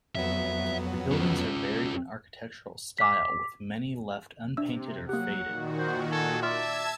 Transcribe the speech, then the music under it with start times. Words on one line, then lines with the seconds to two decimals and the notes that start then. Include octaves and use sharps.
The buildings are varied in architectural style with many left unpainted or faded.
0.15 F2 F#3 B3 E5
1.12 C#4 F4
2.98 D6 B6
4.57 C3 D4 E5 E6
5.09 F#3 A#3 G4 F#5
5.42 A#2 D#3 F#4
5.78 C5
6.12 A4 G#5
6.43 F4 D5 E5 A5 C6 E6 F6 G#6